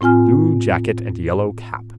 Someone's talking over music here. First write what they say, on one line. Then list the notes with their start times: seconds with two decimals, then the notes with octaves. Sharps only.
Blue jacket and yellow cap.
0.01 A2 C4 F4 G#5 F6